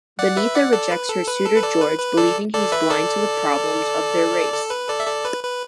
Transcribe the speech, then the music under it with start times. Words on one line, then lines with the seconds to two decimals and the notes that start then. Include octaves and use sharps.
Beneatha rejects her suitor George, believing he's blind to the problems of their race.
0.19 D5 F#5
0.37 B4 E5
0.55 D5 F#5
0.73 A4 D5
0.91 B4
1.09 A4
1.27 B4
1.46 A4
1.56 B4
1.63 A4 D5
1.81 B4
1.99 B4
2.17 A4 D5
2.54 A4 D5
2.72 B4 E5
2.90 A4 D5
4.53 A4
4.70 B4
4.89 A4 D5
5.00 E5
5.07 A4 D5
5.25 B4
5.43 B4